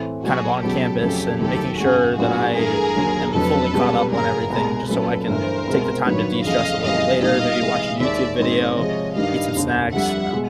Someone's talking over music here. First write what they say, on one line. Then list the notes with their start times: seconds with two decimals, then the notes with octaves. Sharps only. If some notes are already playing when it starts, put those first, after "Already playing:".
kind of on campus and making sure that I am fully caught up on everything just so I can take the time to de-stress a little later, maybe watch a YouTube video, eat some snacks, you know.
Already playing: A2 E3 A3 C4
0.24 B1 B2 F#3 F#4 G#4
0.62 C#2 B2 F#3 G4 A4
1.01 F2 C#3 F#3 A3 C#4 G4 A4
1.40 D#2 D#3 F#3 A3 G4 A4
1.79 G#1 F#2 C#3 F#4 G#4
2.17 A2 F#3 B3 D4 F4 F#4 G#4
2.56 G2 E3 A3 G#4 A#4
2.96 D#2 D3 F#3 A#3
3.34 F1 F2 D3 F#3 A4 B4
3.73 C#2 B2 G3
4.12 G1 F#2 C#3 G#4 A#4
4.50 C2 B2 G#3 G#4 A#4
4.89 A#2 F#3 A3 C#4 A4 B4
5.28 G1 G2 E3 A3 A#4 C5
5.67 C2 B2 G#3 C4 E4
6.06 G2 D#3 F#3 B4 C#5
6.44 E2 C#3 F3 A3 D#5 F5
6.83 F2 C#3 E3 G3 D#5 F5
7.22 A#2 G3 A#3 D#4 G4 D#5 F5
7.61 C3 E3 G#3
8.00 D#2 D#3 G#3 D5 E5
8.38 G#2 D#3 G#3 C4 C#5 D#5
8.77 C3 F3 G#3 C#5 D#5
9.16 G2 D#3 G3 D#5 F5
9.55 F1 D#2 D3
9.93 F2 D3 G3 E5 F#5
10.33 B2 G#3